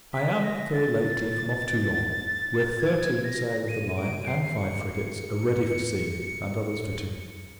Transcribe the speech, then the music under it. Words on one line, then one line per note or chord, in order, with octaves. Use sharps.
I am, very lately, from off Toulon; where thirteen sail of the line, and five frigates, are ready for sea, and others fitting.
B6
A#6
A6
G#6
A#6
D#7
D7
C7
C#7